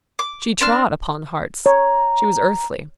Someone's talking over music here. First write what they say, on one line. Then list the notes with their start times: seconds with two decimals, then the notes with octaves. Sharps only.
She trod upon hearts. She was earthly.
0.19 D6
0.61 C4 D4 F6
1.66 C#5 A#5